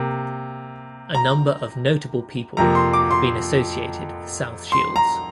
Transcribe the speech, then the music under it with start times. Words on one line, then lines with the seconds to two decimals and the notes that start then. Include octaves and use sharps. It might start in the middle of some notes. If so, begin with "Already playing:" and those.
A number of notable people have been associated with South Shields.
Already playing: C3 A#3
1.15 A#5
2.57 F2 C3 F3 A#3 A#5
2.75 C6
2.93 D6
3.11 C6
4.72 C6
4.96 A#5